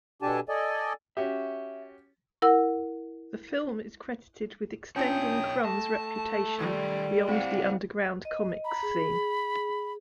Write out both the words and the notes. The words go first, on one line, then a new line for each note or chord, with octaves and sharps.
The film is credited with extending Crumb's reputation beyond the underground comix scene.
B2 D4 G4 A4 G#5 A5
A4 D5 D#5 G#5
C#4 F#4 G4 E5
E4 A#4 F#5 E6
B2 C#4 D4 F4 C#5 G5 D#6
A3 A5 A#6
D#3 G3 A4
C4 E4 C5 F5 F#5
D#5
A#5 B5
G#4